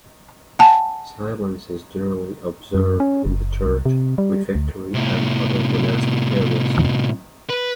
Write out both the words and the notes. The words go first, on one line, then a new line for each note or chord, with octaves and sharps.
Silence is generally observed in the church, refectory and other monastic areas.
F#5 G#5 A5
F#2
C#4
F#1
C2
C3
G3
D2
A2 C3
B4